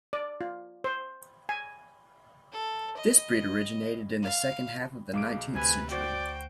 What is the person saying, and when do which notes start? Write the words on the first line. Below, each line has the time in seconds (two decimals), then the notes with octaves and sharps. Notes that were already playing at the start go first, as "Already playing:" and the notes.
This breed originated in the second half of the nineteenth century.
0.13 D5
0.41 F4
0.84 C5
1.49 G#5
2.53 A4
2.97 D#5
4.23 F5
5.14 B1 G#4 F5 D6 D7
5.55 D2 C3 B4 G#5
5.91 F#4 C5 D5 G5